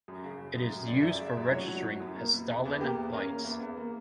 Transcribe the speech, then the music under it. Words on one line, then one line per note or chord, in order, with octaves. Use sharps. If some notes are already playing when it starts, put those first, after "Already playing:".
It is used for registering Hessdalen lights.
F#2
C#3
C#3
F#2
F#2
F#2 D5
F#2 E5
D5
C#3
E5
F#2 D5
F#3 C#5
F#3
F#3
F#2
A#3
B2
E2
E2
A#3 G4
E2
C#4 A#4
A#3
E2
E2
A#3